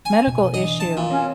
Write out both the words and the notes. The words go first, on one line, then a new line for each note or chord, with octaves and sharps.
medical issue.
G#5
B2
E3 D4 D#5
A5
A#2
C4 C#4